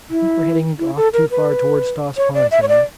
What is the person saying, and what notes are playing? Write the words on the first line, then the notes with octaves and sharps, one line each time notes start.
"I think we're heading off too far toward Stoss Pond," said I.
E4
E4
A4
A#4
B4
C#5
D5
E5
C#5
D5